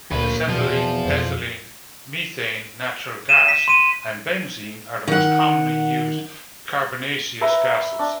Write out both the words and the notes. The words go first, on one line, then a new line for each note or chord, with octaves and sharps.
Acetylene, ethylene, methane, natural gas, and benzene are the most commonly used carbonaceous gases.
D2 A#2 A#3 B4 C#5
E2 B2 F3
F2 B2
D#7 E7
B6
C6 D#7
D#3 F#5
B4 E5 A#5
D4